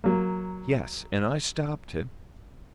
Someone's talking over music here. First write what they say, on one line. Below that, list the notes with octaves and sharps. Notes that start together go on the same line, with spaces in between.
"Yes, and I stopped him."
F#3 A#3